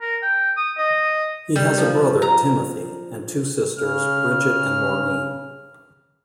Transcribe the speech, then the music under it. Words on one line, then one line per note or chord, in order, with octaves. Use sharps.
He has a brother, Timothy, and two sisters, Bridget and Maureen.
A#4
G5
D#6
D#5
G3
F3
A#5
C#3 F6